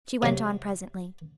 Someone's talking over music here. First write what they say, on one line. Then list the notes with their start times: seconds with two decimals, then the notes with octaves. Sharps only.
She went on presently.
0.22 C3 F#3